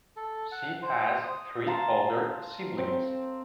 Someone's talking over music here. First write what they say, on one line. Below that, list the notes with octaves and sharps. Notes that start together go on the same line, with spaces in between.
She has three older siblings.
A4
F#5
C5
D#6
F5 A5 A#5 C6
C4